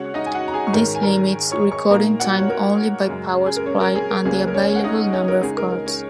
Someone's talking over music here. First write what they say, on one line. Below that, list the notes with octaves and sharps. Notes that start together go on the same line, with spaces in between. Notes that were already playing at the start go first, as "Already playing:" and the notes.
This limits recording time only by power supply and the available number of cards.
Already playing: C#3 G#3 C#4 F#4 C#5 F#5
D#4 D#5
G#5
F#4 F#5
A#5
G#4 G#5
C#6
G#2 D#3 G#3 C#4 A#4 A#5
G#5
A#4 A#5
C#5 C#6
C#5 C#6
A#2 A#3 D#4 A#4 A#5
F#4 F#5
C#5
A#4
F#2 C#3 G#3
G#4
A#4
C#4 C#5
A#4
G#4
A#4
C#2 C#3 A#3 C#4 G#4
A#4
C#4 C#5
F#5
D#4 D#5
C#4 C#5
A#4
C#3 G#3 D#4 G#4
A#4
A#4
C#4 C#5